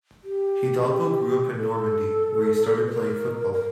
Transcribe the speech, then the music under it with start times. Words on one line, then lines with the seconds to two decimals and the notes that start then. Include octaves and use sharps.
Hidalgo grew up in Normandy, where he started playing football.
0.24 G4
1.54 A#4
1.58 A4
2.87 B4
2.92 A#4
3.53 A#4